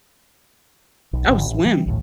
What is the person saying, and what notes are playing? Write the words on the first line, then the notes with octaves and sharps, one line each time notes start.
Oh, swim.
B1
G#1 D3
A1
E3 G3
A#1 D#2 A2